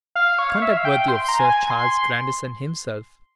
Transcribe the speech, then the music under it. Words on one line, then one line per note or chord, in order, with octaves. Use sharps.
Conduct worthy of Sir Charles Grandison himself.
F5
C#5
F5
E5
F5
G5
C6
A#5
G#5
C6